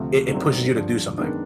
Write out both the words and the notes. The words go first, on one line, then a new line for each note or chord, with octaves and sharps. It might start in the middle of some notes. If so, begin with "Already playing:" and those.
it it pushes you to do something.
Already playing: D2 C3 F3 A3
G2 D#3 F#3 A3 C4
G2 D3 F3
F#2 D#3 G#3 B3 D4